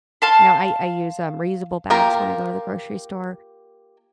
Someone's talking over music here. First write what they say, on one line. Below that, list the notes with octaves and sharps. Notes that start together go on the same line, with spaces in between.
you know, I I use, um, reusable bags when I go to the grocery store
F5 A5 C6
A#3 F4 G4 A#4